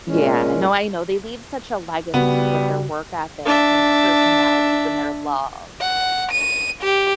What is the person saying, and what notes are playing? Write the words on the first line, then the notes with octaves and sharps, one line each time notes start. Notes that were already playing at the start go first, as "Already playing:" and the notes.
Yeah, no, I know, they leave such a legacy with their work ethic and their personalities and their love.
A#2 G#3 C#4
C#3 G3 B3 F#4
D4 E5
F#5
D#7
G4